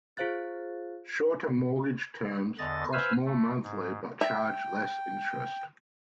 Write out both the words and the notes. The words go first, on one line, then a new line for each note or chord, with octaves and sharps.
Shorter mortgage terms cost more monthly but charge less interest.
F4 G#4 C5 F5 F#6 A6
E2 D3 D#5 A6
B4 C5 F5 G#5 E6 F6
A3
G#2
E5 G5